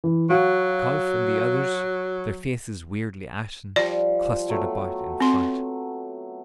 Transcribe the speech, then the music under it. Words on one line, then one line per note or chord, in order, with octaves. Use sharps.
Kauf and the others, their faces weirdly ashen, clustered about in fright.
E3
F#3 F#4 F5
F3 G3 D5
F#3 A3 B3
C4 C6